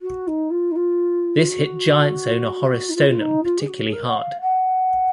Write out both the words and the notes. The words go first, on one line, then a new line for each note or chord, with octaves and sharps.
This hit Giants owner Horace Stoneham particularly hard.
F#4
D#4
F4
D#4
F4
F#4
D#4
F4
F4
D#4
F4
G#4
F#4
G#4
A#4
F#5
F5
F#5